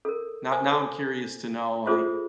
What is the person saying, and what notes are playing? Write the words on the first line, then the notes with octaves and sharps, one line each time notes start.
now now I'm curious to know, like,
A4 A#4
C5 G#5
A4
F4 G#4 A4 C5 D5 E5